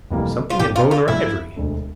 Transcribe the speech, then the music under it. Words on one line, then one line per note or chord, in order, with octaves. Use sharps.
"Something in bone or ivory."
F1 F2 E3 G3 A#3
F4
A#1 A#2 F3 G4
F4
F4
A#1 A#2 F3 E4
E1 D2 D3 A3